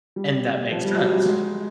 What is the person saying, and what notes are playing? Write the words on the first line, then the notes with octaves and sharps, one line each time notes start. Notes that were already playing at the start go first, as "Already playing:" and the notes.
and that makes sense.
G3
F3
G3
F#3
G3
G#3